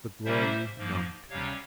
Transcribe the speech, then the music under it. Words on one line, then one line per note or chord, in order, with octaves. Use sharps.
The glory numbed him.
C3 G3 A#3 C#4 C5 E5
G#2 F3 A#3
C3 G3 C#4 C#5 F5